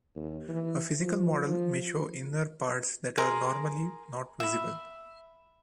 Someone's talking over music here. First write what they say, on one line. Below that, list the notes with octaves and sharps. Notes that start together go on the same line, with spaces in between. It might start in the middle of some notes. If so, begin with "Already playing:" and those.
A physical model may show inner parts that are normally not visible.
D#2
E3
F3
F3
G#4 A#4 A#5 C6
E5 B5